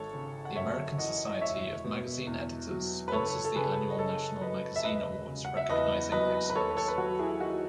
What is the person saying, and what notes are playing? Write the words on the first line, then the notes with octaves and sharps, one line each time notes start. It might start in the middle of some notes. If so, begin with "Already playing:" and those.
The American Society of Magazine Editors sponsors the annual National Magazine Awards recognizing excellence.
Already playing: G#1 A4 C#5
C#3
F#5
F#2 C#5 E5
E3 D#5 F#5
D#5
E1 C#5 E5
B2
E2
F#3
B4
F#1 A4 C#5
A4
C#3 G#4 B4
D#5
F#2 A4 C#5
F#3 B4 D#5
E5
E1 B4 D#5
C#3
F#5
E5
E2 B4 D#5
F#3 B4 D#5
B4
D#2 A4 C#5
A4 C#5
B4
F#3 F#4 A4
E4 G#4
G#4
D#3 D#4 F#4